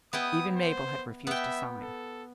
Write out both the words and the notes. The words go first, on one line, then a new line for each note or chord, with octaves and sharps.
Even Mabel had refused to sign.
B3 E4 G5 D#6
C5
B3 E5 G5
A4